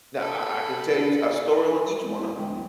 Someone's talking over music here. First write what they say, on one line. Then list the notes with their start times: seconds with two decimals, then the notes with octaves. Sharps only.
now I I can tell you a story on each one of
0.19 A4 B5
2.03 E2 G#3 C4 D5
2.19 E4
2.37 D2 G#3 D#5 G5
2.52 E2 F#3